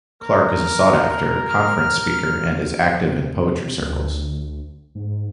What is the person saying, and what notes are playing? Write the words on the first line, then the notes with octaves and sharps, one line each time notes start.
Clarke is a sought-after conference speaker and is active in poetry circles.
A#4
F6
C3
D2
G#2